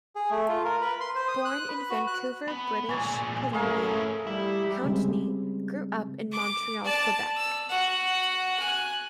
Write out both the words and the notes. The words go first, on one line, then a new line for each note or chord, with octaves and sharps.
Born in Vancouver, British Columbia, Pountney grew up in Montreal, Quebec.
G#4
A3
F4
A#4
B4
C6
C5
D#6
F#6
B4
F#4
F#6
B3
A#2 G#3 C#5 A5
A3 C#4 E4 G#4 A#4 F5
G3 E4
C#3 G3 G#3 C4
D6
D5 A5
E6
F#4 F#5
G#5 F#6